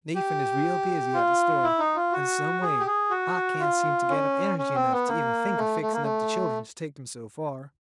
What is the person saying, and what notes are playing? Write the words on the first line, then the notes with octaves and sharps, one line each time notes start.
Nathan is real busy at the store; and, some way, I can't seem to get up energy enough to even think of fixing up the children to take them so far.
G4
F4
E4
D#4
F4
F#4
G#4
G4
G#4
F#4
F4
C#4
C#4
C4
B3
A#3
A3
A3
A#3
A3